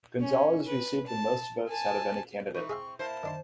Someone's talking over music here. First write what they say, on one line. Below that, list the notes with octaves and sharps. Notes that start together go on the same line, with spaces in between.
Gonzalez received the most votes out of any candidate.
C#4
B4
A5
G#5 A5
E3 D#4 C#6
C4 G#4 E5 F5
A#3 E4 C5 A5
D#3 D4 C6